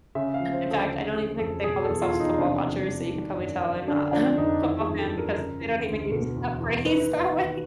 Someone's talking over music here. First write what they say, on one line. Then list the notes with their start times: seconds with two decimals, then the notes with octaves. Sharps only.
in fact, I don't even think they call themselves football watchers, so you can probably tell I'm not a football fan because they don't even use that phrase that way.
0.15 C#3 E5
0.34 F5
0.40 F3
0.53 C5
0.66 D2
0.71 A4
0.90 C#3
1.14 E3 G#4
1.39 F2 A4
1.64 B2 G#4
1.83 A4
1.89 E2
2.02 F4
2.13 E2
2.20 D#4
2.38 C3 D4
2.63 F3
2.89 E2
3.13 D#3
3.39 F#2
3.63 F#2
3.87 D3 D4
4.12 F3 D4
4.37 F2 D#4
4.61 D#3 E4
4.80 G#4
4.87 G2
4.99 A4
5.12 G2
5.18 A#4
5.37 C#3
5.61 E3
5.86 D2
6.11 B2
6.36 E2
6.61 E2
6.86 D#3 B4
7.10 D#2
7.35 D#2